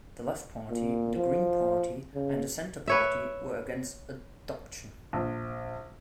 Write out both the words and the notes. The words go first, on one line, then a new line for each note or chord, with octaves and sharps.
The Left Party, the Green Party and the Centre Party were against adoption.
A#2
F3
C#3
B4 C#5 E5
A#1